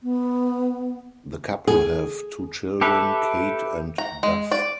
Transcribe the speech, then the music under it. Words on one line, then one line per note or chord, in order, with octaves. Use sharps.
The couple have two children, Kate and Duff.
B3
G#4
G4 A4 B4 E5
A#5
G#3
D5